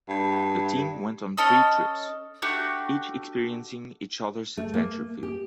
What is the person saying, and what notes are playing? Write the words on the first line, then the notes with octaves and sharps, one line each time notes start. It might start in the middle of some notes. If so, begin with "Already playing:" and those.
The team went on three trips, each experiencing each other's adventure field.
G2
C#4 A4 D#5
A3 D4 F#4 G4
A3
A#3
G4